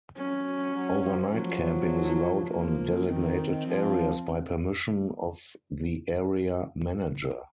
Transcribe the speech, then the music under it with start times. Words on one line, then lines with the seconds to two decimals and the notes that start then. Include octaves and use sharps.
Overnight camping is allowed on designated areas by permission of the area manager.
0.17 F#3 C#4
0.75 F#3
1.04 F3
1.33 F3 F#3
2.49 F3 A#3
3.07 D#3 C4
3.65 F3